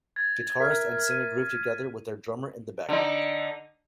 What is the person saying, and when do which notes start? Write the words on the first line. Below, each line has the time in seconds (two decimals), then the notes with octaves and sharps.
Guitarist and singer groove together, with their drummer in the background.
0.16 G#6 A6
0.60 A#4 E5 F6 B6
1.11 D#7
2.89 D3 D#4